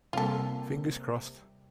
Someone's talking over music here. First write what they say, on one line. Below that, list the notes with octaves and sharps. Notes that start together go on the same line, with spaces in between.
Fingers crossed!
C3 G3 A#3 F4 A4